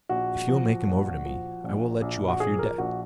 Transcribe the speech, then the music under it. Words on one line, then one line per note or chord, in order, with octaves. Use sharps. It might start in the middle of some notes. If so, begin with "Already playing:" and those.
If you will make him over to me, I will let you off your debt.'
A#1 F#4
F3
A#1
F3
A#1
A#1
F#4
F3 G#4
A#4
A#1 F#4